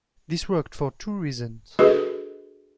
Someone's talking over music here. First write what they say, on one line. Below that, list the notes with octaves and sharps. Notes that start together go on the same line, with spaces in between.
This worked for two reasons.
D4 F#4 G#4 A4 B4 D#5